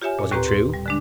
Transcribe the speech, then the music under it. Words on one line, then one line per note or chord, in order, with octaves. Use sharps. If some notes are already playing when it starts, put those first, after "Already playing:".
"Was it true?"
F4 G4 C#5 E5 G#5
A#2
D#2 A2 C4 G4 B4 A#5
G4 C6
G3
D3 G#3 D4